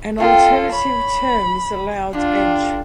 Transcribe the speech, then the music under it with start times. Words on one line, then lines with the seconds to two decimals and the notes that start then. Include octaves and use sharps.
An alternative term is allowed edge.
0.18 A3 C4 F4 A4 D#5
0.72 C#5 B5
2.13 D3 D4 F4 G4